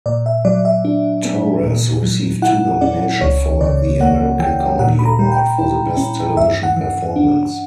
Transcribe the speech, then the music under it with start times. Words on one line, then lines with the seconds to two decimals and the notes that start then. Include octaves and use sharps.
Torres received two nominations for the American Comedy Award for the Best Television Performance.
0.06 A#2 D5
0.26 E5
0.45 F#3 D5
0.65 E5
0.85 D4
1.25 B3
1.64 A#2
2.03 F#3
2.42 E4 F#5
2.81 C#4 D5
3.21 C#2 C#5
3.61 C#3 D5
4.00 A#3 F#5
4.39 E3 G5
4.79 A#2 F#5
4.99 B5
5.05 A#5
5.19 G3
5.32 G5
5.59 E4
5.97 C#4
6.37 G2 E5
6.63 F#5
6.77 E3
7.16 D4